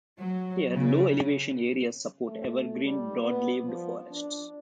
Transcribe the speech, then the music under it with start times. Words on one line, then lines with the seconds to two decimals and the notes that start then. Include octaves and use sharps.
Here low elevation areas support evergreen broadleaved forests.
0.19 F#3
0.74 C#3
2.25 A3
2.84 G3
3.22 B3
3.65 F3
4.11 D4